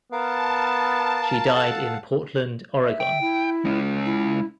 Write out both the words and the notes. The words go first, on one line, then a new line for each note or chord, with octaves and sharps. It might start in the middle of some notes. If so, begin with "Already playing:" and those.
She died in Portland Oregon.
B3 A#4 F5 A5
A4 F5 F#5
E5
G5
E4
G#3 C#4
E4